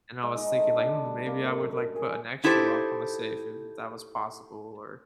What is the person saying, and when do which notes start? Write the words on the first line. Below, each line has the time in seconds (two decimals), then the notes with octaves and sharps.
and I was thinking like, "Hmm, maybe I would like put an extra lock on the safe if that was possible," or
0.23 G#3
0.36 D#4
0.58 A3
0.76 D4
1.05 G3
1.26 A#3
1.44 A2
1.60 F#2
1.96 G#4
2.44 D#4 E4 G4 A4 C5